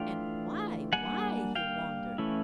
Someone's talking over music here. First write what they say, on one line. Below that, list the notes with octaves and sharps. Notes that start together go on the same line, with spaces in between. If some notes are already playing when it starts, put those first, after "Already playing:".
"And why--why?" he wondered.
Already playing: E3 A3 D4 F4 F5 G5
G3 A#3 D4 F#5 G#5
F5 G5
E3 A3 C#4 E4